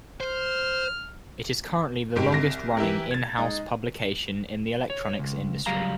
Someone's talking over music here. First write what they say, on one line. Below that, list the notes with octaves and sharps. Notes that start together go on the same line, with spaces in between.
It is currently the longest-running in-house publication in the electronics industry.
C5 F6
G#1 G#2 G4 D7
C2 A#6
E3 E4 G4 A#4
G#6 A6
G#3 D#4
C#5
C#2
C#2 F#3 G3 F5 A#5